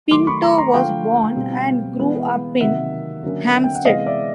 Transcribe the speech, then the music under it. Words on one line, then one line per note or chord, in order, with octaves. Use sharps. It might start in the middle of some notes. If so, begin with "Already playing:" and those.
Pinto was born and grew up in Hampstead.
D#3 F#3 A3 C6 D6
B5 C#6
A#5 C6
A#5 C6
D3 F3 A3 F5 G5
B2 G3 C4
E3 G#3 B3
C3 D#3 F#3 A#3 E5 F#5
D3 F#3 A#3 C#4
G5
F#5
C3 E3 G#3 B3 D#5 F5
D5 E5